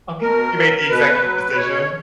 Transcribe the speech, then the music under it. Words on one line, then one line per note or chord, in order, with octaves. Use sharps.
Okay. You made the executive decision?
B2 A#4
F#3
B2 B4
F#3
B2 C#5